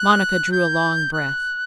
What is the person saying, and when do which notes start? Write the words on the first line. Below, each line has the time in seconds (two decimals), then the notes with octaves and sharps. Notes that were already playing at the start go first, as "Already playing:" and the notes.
Monica drew a long breath.
Already playing: F#6
0.52 G6
1.13 F#6